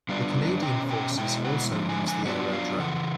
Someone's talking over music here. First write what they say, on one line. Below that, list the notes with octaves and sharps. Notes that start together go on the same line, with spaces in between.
The Canadian Forces also use the aerodrome.
D3 G3 B3 D4 F4 F5
B2 G#3 C#4 G5
G5
B2 G#3 E4 G5
F#5
D3 F3 G#3
G#5
G#5
F#3 B3 D4 F4 F#5
F5
C#3 E3 F#5